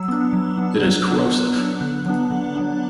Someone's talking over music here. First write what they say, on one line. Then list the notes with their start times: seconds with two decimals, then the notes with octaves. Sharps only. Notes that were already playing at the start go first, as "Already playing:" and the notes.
It is corrosive.
Already playing: F#3 E6
0.08 B3 D4
0.33 F#3
0.57 B3 D4
0.82 F#3 F#6
1.07 B3 D4
1.32 F#3
1.56 B3 D4
1.81 D3 F#6
2.06 F#3 B3 D4
2.30 D3
2.55 F#3 B3 D4